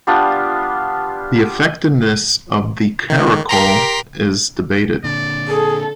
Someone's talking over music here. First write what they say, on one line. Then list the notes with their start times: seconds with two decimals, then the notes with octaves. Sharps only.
The effectiveness of the caracole is debated.
0.07 G3 B3 D4 F4
3.10 D#3
3.49 G4 A#4 A#5 C6 B6
5.04 A#2 D3 D5
5.47 G#4 A4